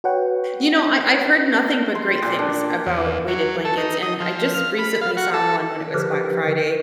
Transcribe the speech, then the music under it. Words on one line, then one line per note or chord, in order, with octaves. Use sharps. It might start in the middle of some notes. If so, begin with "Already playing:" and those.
You know, I I've heard nothing but great things about weighted blankets, and I just recently saw one when it was Black Friday,
F#4 B4 C#5 F#5 G5
C6
G5
A#2
D4
D5
E2
F#3
A4
D#4
D#5
F3
F6
B5
F5
F#4
A4
D3 F3 G4 A#4 B4